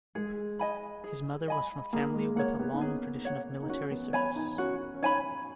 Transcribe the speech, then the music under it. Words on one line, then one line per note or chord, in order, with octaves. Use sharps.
His mother was from a family with a long tradition of military service.
G#3 G#4
D#5 G#5 B5
G#4
D#5 G#5 B5
A#3 G#4
G#3
A#3 C#5 F#5
B3
D#4
C#4 G#4
C#5 F#5
D#4
C#4 F#4
B3
C#5 G#5 B5
D#4
C#4 F#4
C#4
D#4 C#5 G#5 B5